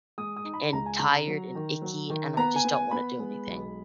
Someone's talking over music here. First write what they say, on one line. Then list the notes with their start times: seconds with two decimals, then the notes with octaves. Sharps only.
and tired and icky, and I just don't wanna do anything.
0.18 G#3 D#6
0.36 D#6
0.44 D#4
0.54 B5
0.73 C#2 A#5
0.86 G#5
0.99 C#3 A#5
1.27 F#3
1.55 D#3
1.82 F#3
2.10 D#3
2.37 B3 A#5
2.56 G#5
2.65 B3
2.73 G#5
2.91 B3 B5
3.19 G#3
3.47 B1